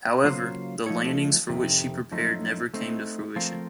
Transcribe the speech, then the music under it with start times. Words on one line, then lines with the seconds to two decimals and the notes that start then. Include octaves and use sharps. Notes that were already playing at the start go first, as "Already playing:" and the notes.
However, the landings for which she prepared never came to fruition.
0.24 C#3 F#3 A#3 F4 C5
0.86 F3 A3 D#4 A4 C#5
1.49 F2 C3 D#3
2.12 F#2 F3 A3 D#4
2.74 A3 C4 D#4
3.36 F3 A3 C4 F4 A#4